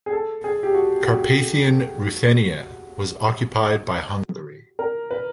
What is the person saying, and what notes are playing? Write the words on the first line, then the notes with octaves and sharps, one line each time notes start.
Carpathian Ruthenia was occupied by Hungary.
G#4
A4
G#4
G4
F#4
F#4
A#4
B4